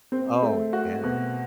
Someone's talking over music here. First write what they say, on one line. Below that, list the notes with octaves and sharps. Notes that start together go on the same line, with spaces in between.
Oh, yeah.
C4
A3
F#4
B2